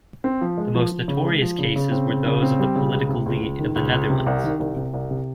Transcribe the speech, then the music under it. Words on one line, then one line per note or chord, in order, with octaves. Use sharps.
The most notorious cases were those of the political elite of the Netherlands.
C4
F3
G#3
F3
F3
C#3
G#3
F3
C#3
C#3
C4
C#3
C#3
C4
G3
C#3
C#2
C3
C#2
C#2
D#3
C#2
C#2
C3
C2
D#3
C2
C3
C2
C3